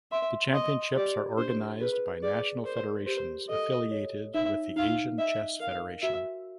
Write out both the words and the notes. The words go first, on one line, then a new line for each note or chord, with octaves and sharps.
The championships are organized by national federations affiliated with the Asian Chess Federation.
E5 C6
D#5 C6
G4 D5
D4 C5
G#4 B4
G#4 D5
A#4 C5
G4 C5
A4 D#5
C#5
D#4 E5
D#4 F5
D#5 E5
A#4 F5
F#4 E5